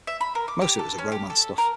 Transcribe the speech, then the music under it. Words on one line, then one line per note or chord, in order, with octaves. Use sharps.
Most of it was the romance stuff.
E5
B5
A#4
D6
G4
A4
C#4
G4
A4
A#4